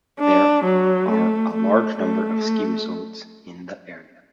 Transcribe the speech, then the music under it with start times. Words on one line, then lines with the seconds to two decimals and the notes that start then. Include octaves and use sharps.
There are a large number of ski resorts in the area.
0.20 D4
0.65 F#3
1.10 A3
1.54 A3
1.99 A3